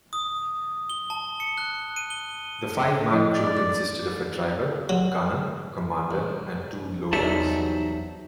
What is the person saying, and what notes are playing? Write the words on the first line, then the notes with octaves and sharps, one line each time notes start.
The five-man crew consisted of a driver, gunner, commander and two loaders.
D#6
G7
A5
C#7
F#6
D#7
G7
F3 E4 D#5
D5
D6
F#3
C2
E2 C3 F#3 G3 D#4 E5 A5